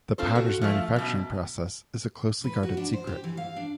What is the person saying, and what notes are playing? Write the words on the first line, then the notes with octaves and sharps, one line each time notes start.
The powder's manufacturing process is a closely guarded secret.
C4 F4 A4 C5
F#4
F3 A3 F4
F#2 B2
B4
F#4
D4
C5
G4
E3
F5
D4